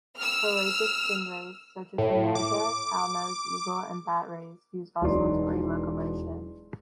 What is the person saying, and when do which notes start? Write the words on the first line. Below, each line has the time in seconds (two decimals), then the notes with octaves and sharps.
Pelagic stingrays, such as the manta, cownose, eagle and bat rays use oscillatory locomotion.
0.17 E6 F6
1.98 A2
2.35 D6
5.01 E1 E3 F#3 D#4 D5 C6